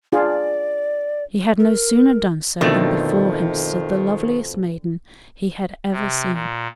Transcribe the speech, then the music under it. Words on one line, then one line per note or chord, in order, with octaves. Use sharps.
He had no sooner done so than before him stood the loveliest maiden he had ever seen.
D4 F4 G#4 D5
A#4
F2 B2 D3 D#3 A3 C4 D5
C3
A#2